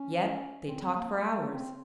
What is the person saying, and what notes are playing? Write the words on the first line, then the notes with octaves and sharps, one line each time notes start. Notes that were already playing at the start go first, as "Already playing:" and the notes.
Yet they talked for hours.
Already playing: C#4
C4
C4
A#3
A#3
C4